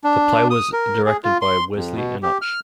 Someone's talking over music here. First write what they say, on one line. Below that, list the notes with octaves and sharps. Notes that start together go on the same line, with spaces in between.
The play was directed by Wesley Enoch.
D4
D#6
A#4
G#4
F4
C6
F2
B2
G4
F6